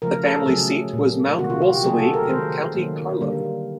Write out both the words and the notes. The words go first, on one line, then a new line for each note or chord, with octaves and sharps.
The family seat was Mount Wolseley in County Carlow.
C#3 F3 A3 A#4
A4
C#3 F#3 A3 G#4
A#2 G3 A#3
C3 D#3 G3 A#3 F#4
F4
F#4
G4
C#3 F#3 A3 G#4
A4
A#4
D#3 G#3 C5
D#3 F#3 A#3
D3 G3 A#3